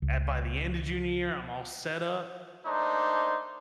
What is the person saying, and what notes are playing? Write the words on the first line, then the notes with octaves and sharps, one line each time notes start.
At by the end of junior year, I'm all set up.
C#2
A3 A#3 D4 D#4 C5